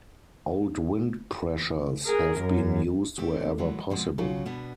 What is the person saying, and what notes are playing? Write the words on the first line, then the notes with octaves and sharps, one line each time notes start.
Old wind pressures have been used wherever possible.
G#4 A#4
F#2
A3 C4 G4
E3 F#3 G#3
B2 F3 G#3 C4
C#3 F#3 F4
B2 B3 D4